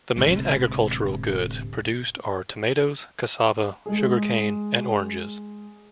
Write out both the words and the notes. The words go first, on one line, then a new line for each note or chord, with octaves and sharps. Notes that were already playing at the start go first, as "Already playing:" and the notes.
The main agricultural goods produced are tomatoes, cassava, sugarcane and oranges.
D1 D2 C3 G#3
G#3 G#4